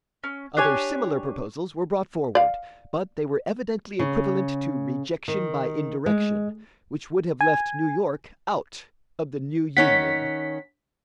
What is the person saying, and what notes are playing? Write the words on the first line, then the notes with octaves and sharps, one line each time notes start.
Other similar proposals were brought forward, but they were evidently equivalent to rejection by indirection, which would have left New York out of the new Union.
C#4
D4 G4 C#5 G#5
D5 F5
C#3
D#3
G#3
G#5
D#3 C#4 F#5 B6